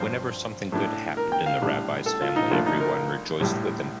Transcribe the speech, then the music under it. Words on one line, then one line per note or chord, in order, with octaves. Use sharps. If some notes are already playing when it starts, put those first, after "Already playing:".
Whenever something good happened in the rabbi's family everyone rejoiced with him.
Already playing: G2 F3 C4 C5
A2 A3 D4
A#4
G5
F5
A#1 A2 G3 D4
A4
F4
D#4
A#1 A#2 F3 A3 D4 F4
D#4
A#4
A#1 A2 G3